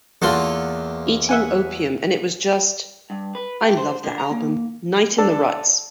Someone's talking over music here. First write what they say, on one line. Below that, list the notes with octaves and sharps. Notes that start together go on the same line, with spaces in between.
Eating opium and it was just...I love that album - "Night in the Ruts".
E2 A#3 F4 F#4 A4 C6
E5 F#5 G#5
G2
B4
G4
C5
D3
A#5
A#3
D4 A4 A5